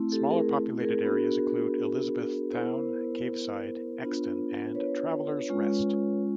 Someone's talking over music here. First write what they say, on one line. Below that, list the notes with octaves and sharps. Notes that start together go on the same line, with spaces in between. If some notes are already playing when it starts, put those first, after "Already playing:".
Smaller populated areas include Elizabeth Town, Caveside, Exton and Travellers Rest.
Already playing: A3 C4 E4
G4 A4
G#4 A#4
G#4 A#4
B3 D4 F#4
B3 E4 A#4 C5
B3 D4 F4
B4 C#5
G#3 C#4 F4